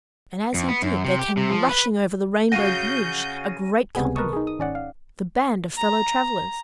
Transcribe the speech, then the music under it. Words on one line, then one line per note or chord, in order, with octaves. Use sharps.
And as he did there came rushing over the Rainbow Bridge a great company--the band of fellow travellers.
F2
B3
F#2
C3
G4
C3
F3
B4
C#3 F#4 F5 F#5 G6 A#6 D#7
C#2 C3 G3 B3 G#4 G#5
A#4 B4 D#5 A5 C#6 D#6
D#4 G#4
D#6
G#1 C#4 D5 F#5
F5
A#5